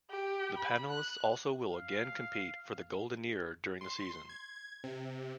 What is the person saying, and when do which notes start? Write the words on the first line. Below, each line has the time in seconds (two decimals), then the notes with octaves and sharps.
The panelists also will again compete for the Golden Ear during the season.
0.10 G4
0.58 B5
0.90 F#6
1.71 F5
3.81 C6
4.29 G#6
4.84 C3